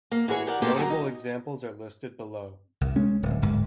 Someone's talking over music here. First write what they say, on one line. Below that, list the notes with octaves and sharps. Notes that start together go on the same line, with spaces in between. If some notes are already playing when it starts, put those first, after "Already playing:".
Notable examples are listed below.
A#3
E3 F#4 G#4 A#4 C#5
G4 A#4 D5 F#5
A3 A#3 F4 G4 A4 A#4
F#3 G#5 A#5
D#4
C2
G#3 C#4
D1
D1 G1 G#2